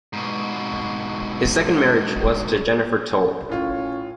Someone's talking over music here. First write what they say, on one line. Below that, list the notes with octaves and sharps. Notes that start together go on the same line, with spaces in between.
His second marriage was to Jennifer Tole.
G#2 B2
A2 C#4 F4 C#5